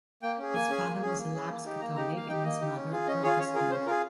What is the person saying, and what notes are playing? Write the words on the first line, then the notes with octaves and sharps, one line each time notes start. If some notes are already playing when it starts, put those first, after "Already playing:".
His father was a lapsed Catholic, and his mother a Protestant.
A#3 G5
C#4 G#4
A#3 G#5
C#4 G#4
A#3
C#4 G#4
A#3
C#4 G#4
A#3
D#4 G4
A#3 A#5
D#4 G4 A#5
A#3 F5
D#4 G4 G5
A#3 D#5
D#4 G4
C#4
F4 G#4
C#4 D#5
F4 G#4 C#5
C#4 C#5
F4 G#4 A#4
C#4 C5
F4 G#4 A#4